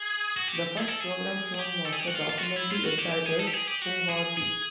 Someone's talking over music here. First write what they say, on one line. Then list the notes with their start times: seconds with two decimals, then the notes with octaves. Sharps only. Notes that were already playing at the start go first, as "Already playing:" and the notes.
The first program shown was a documentary entitled 'Who Are We?
Already playing: G#4
0.37 F#4
0.48 G4
0.77 G#4
0.88 A4
1.00 G#4
1.54 G#4
1.59 G4
1.85 A4
1.93 G#4
2.00 G4
2.07 F#4
2.15 F4
2.29 F4
2.38 F#4
2.43 F4
2.56 E4
2.71 F4
2.84 F#4
2.98 G4
3.12 G4
3.25 G#4
3.39 A4
3.47 G4
3.54 G#4
3.68 G4
3.82 F#4
4.09 G#4
4.37 G#4